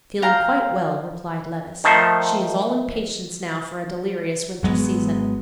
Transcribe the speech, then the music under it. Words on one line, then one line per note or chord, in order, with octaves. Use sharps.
"Feeling quite well," replied Levice; "she is all impatience now for a delirious winter season."
F5 G5 A#5
D#3 F3 A3 C5
G#1 F#3 G#3 B3